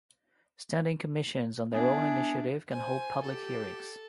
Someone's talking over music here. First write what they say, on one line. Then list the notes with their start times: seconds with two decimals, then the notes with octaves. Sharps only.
Standing commissions on their own initiative can hold public hearings.
1.72 G#3 B3 D4 E4 G#4
2.70 C5 G#5
3.23 G4 A4